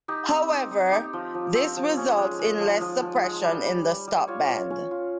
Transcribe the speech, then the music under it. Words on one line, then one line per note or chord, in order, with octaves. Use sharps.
However, this results in less suppression in the stopband.
D#4 G4
C4
D#4
D#4
D#4 G4
F3
F3
C4
F3
C#4
G#3
G#3
F3
F3
F3
G#3
G3
G3
G3
G3
F4 C#5
F4
C#4
F4